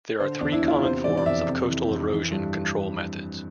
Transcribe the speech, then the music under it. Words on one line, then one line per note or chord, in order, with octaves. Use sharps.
There are three common forms of coastal erosion control methods.
D3 C5
E2 D4
E4
E2
F4
C3 C5
E3 D5
D5
F2 E5
C3
E3
F2
E3
G2